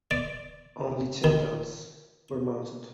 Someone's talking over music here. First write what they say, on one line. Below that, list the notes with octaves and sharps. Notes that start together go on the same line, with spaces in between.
Only ten guns were mounted.
D5
D#3